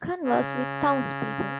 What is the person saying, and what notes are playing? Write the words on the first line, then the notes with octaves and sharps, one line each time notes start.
Converse with townspeople.
C#3